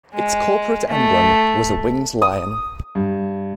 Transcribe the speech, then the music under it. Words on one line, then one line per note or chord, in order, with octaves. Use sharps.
Its corporate emblem was a winged lion.
G#3
A3
D#6
G2